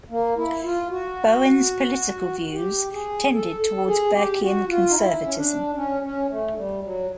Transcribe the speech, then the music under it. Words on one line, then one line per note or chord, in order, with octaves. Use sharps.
Bowen's political views tended towards Burkean conservatism.
A#3
E4
F4
F#4
G4
G#4
A4
A4
G#4
G4
F#4
F4
D#4
E4
C#4
D4
C#4
C#4
A3
G3
F#3